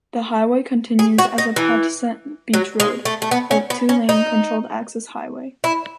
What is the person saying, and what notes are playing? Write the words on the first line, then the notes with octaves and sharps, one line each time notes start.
The highway continues as Patuxent Beach Road, a two-lane controlled-access highway.
G#4
F#4
D#4
E3
F#3
G#3
A3
A3
B3
C#4
B3
C#4
D#4
E4